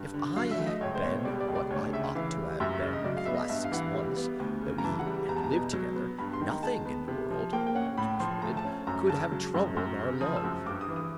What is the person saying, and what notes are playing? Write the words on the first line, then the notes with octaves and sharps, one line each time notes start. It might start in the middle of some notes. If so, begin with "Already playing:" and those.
If I had been what I ought to have been for the last six months that we had lived together, nothing in the world, I was persuaded, could have troubled our love.
Already playing: G2
D3
F#3 F5
E5
A3
D#5
C#2 C#5
C5
B2 C#5
G3 D5
D5
C#2
D5
D2 C#5
C#3 E5
E3 F5
G3
F#2 E5
E5
C#3
D#5
F#3 D5
F5
B3 E5
D#5
G2 E5
F5
E3 F#5
F5
G3
B3
D2
C#3
A#5
E3 A5
F#5
G3
E2 A#5
A5
A#5
B2
F#3
B3
G2 B5
C6
D#3
A#5
G#3 A5
B3
C3
F3
A#3 G5
G5
C#4 F#5
A2 B5
F3 C6
A3 A#5
A5
C#4
F#2 A#5
C#3 A5
F#3
F#2
F#2
C#3
F3 D#6
E6
F#2
G2 D6
D#6
E3
D#6